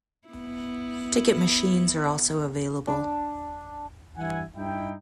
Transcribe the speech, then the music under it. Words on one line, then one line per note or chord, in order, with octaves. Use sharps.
Ticket machines are also available.
B3 E4
D4
G2 E3 E4 E5 F#5 G#5
G2 D#4 E4 G5